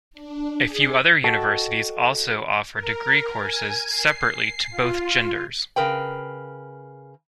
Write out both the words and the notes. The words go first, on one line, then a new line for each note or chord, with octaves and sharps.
A few other universities also offer degree courses separately to both genders.
D4
G#4
F#4 A4 D#5 F#5 G5 A5
A#4
G#5
C7
F4
C#3 A#4 B4 G5